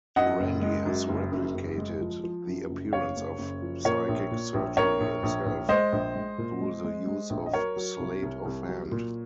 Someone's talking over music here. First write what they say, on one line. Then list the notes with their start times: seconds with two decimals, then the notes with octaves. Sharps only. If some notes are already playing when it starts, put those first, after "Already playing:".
Randi has replicated the appearance of psychic surgery himself through the use of sleight-of-hand.
0.16 F#2 D#5 F#5
0.40 F#1
0.62 G#3
0.86 F#2
1.09 F#1
1.32 F#2
1.55 F#1
1.78 G#3
2.01 F3
2.24 F3
2.47 F#2
2.69 F#1
2.93 F#1 C#5 F5
3.16 F#1
3.39 F#1
3.62 F3
3.85 A#2 A#4 C#5
4.08 A#1
4.31 A#2
4.54 A#1
4.77 A#1 A#4 C#5
5.00 A#1
5.23 A#1
5.46 A#1
5.69 G#3 C5 D#5
5.92 A#1
6.15 G#3
6.38 A#2
6.61 G#3
6.84 G#3
7.07 G#3
7.30 A#1
7.46 D#5
7.53 F#3 A#4 C#5
7.76 F#3
7.99 C2
8.22 C2
8.45 C2
8.68 F#3
8.92 A#2